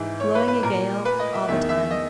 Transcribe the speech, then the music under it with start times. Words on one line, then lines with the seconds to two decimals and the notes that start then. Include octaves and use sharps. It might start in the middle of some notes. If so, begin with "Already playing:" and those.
Blowing a gale all the time.
Already playing: G#2 E3
0.20 C#5
0.35 B4
0.48 B4
0.63 A#2 A#4
1.05 B4
1.19 D#5
1.34 E5
1.48 E2 D#3 E5
1.69 E5
1.90 D#5